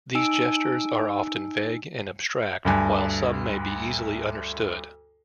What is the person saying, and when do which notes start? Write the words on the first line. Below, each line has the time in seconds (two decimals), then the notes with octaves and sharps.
These gestures are often vague and abstract while some may be easily understood.
0.15 D#4 G#5 E6 D7
2.65 D2 G2 G#5